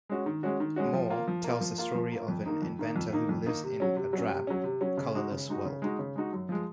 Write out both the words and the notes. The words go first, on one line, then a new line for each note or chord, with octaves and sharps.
"More" tells the story of an inventor who lives in a drab, colorless world.
G#3 C#4 F#4
D#3
G#3 C#4 F#4
D#3
G#3 C#4 F#4
F3
A#3 F4
F3
A#3 F4
F3
A#3 F4
F3
A#3 F4
F2
D#3 A#3 D#4
F2
D#3 A#3 D#4
F2
D#3 A#3 D#4
F2
D#3 A#3 D#4
C3
F#3 C#4
C3
F#3 C#4
C3
F#3 C#4
C3
F#3 C#4
C#3
G#3 D#4 F#4
C#3
G#3 D#4 F#4
C#3
G#3 D#4 F#4
C#3
G#3 D#4 F#4
F#2
F3 G#3